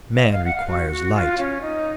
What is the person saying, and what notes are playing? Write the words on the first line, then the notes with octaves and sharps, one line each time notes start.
Man requires light.
F5
D#5
F5
F#5
F5
F#4
F#4
F4
C#4
D#4